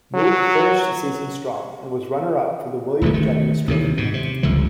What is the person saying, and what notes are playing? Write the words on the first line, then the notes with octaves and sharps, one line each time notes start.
Moog finished the season strong and was runner-up for the William Jennings Trophy.
F#3
D#1 A1 D3 A3
D#3 A3
D#2 C3 E3
G#2 B2
C3
G1 C#2 D3 F3